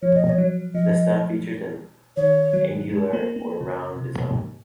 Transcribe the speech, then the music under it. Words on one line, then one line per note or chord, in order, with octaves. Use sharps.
The stem features an angular or round design.
F3 C#5
D#5
C#5
F#3
F3 D#5
D#3 C#5
F#3
G#3
A#3
A#3
C#3
C3
G#2